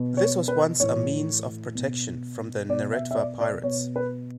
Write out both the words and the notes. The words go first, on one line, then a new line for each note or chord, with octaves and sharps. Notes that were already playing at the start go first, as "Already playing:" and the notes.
This once was a means of protection from the Neretva pirates.
Already playing: B2
C#5
B4
A2 E3 C#5
B2
B2 D5
E5
E5
D5
D5
B2 C#5
B4